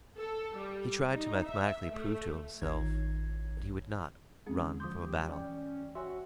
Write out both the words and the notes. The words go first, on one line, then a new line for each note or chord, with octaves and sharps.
He tried to mathematically prove to himself that he would not run from a battle.
A4
G3
D#4
E5
A3
A1 D#3 D#4 F4 C#5 G#6
G#3 C4 C#4 G#4
D3
F3 C6 D6 D#6 G6
G4
E3 C#4 D5 G5
F#4 C#5 E5 G#5 C6